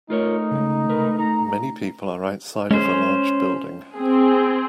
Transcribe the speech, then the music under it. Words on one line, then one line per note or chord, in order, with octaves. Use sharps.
Many people are outside of a large building.
A3 D#4 F4 A#4 C#5
C#3 G#3
C2 A#4 B4
D#4 A#5
G#3 C#4 C5
C4 G#4